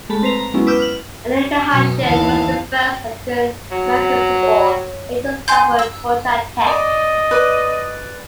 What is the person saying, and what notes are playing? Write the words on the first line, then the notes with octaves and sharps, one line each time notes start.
Eddie McAshan was the first African American football player to start for Georgia Tech.
G#3 A3 A5 B5
C4 B4 C5 A#5 F7
A#5
F#3 G#3 B3 C#4 E4
B4 D6 E6 F6 G6
F6 F#7
B2 F#3
D#2 E3 F5 A5
F#3
C#5
G#5 C6 G6
E6
D5 D#5
B4 D5